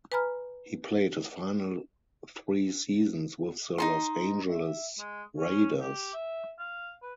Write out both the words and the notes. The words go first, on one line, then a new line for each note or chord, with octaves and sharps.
He played his final three seasons with the Los Angeles Raiders.
B4 G#5 A#5 B5 F6
D#4 A4 C6
E5
G#3
C#4
G4
E5
F5
B4